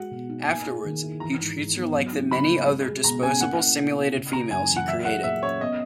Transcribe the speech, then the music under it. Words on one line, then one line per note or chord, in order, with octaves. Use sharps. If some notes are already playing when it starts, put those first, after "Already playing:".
Afterwards he treats her like the many other disposable simulated females he created.
Already playing: G#3 F#4 F#5
B2
D#4
A#3 G#5
G#4
D#3
E4
E3 A#5
G#2
G#2
B3
F#3
D#4
C#3 B5
A#3
G#3
G#4
B2 A#5
C#4 G#5
A#3 F#5
E4
B2
C#4
C#3
A#3 A#5
F#2 G#5
E3
F#5
F#3 E5
G#4 F#5
A#2 E5
C#4 C#5
B3 D#5